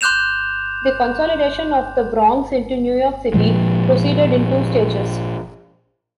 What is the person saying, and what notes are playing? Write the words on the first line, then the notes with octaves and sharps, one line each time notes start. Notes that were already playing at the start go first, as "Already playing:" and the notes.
The consolidation of the Bronx into New York City proceeded in two stages.
C6 D6 F#6 G6 E7 F7
A#2 F3 G#3